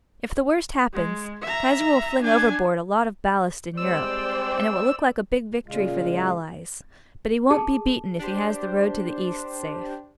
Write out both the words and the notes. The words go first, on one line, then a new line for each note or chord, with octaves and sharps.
If the worst happens, Kaiser will fling overboard a lot of ballast in Europe, and it will look like a big victory for the Allies, but he won't be beaten if he has the road to the East safe.
G#3
E5 A#5
D4 G#5
G3 G#3 C4 C5 D5 G5 E6
A#2 C#3 G#3 F4
G#4 A4 A5
D4 G4 C5